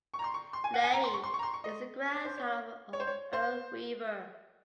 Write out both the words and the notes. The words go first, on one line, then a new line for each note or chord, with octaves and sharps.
Leahy is the grandson of Earl Weaver.
C#6
A#5
C6
C#6
C6
G#5
F#5
G#5
A#5
C6
C#6
C6
C#6
A#5
C6
C#6
D#5
C#5
C5
C#5
C#5
C5
C#5
C5